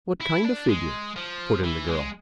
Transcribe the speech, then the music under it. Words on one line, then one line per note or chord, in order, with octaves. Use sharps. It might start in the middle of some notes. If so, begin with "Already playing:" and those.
"What kind of figure?" put in the girl.
E4
D4
G#3
F3
E3
G#3